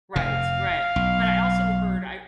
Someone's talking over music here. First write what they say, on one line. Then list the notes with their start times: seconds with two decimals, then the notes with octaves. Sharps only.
Right right. But I also heard I
0.16 F1 C3 F5
0.96 B1